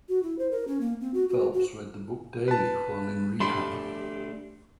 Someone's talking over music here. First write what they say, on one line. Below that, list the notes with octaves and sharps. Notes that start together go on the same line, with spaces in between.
Phelps read the book daily while in rehab.
F#4
E4
C5
A#4
C#4
A#3
C4
F#4
F#4
F#4
B4 A5
A3 D4 G4 B5 C6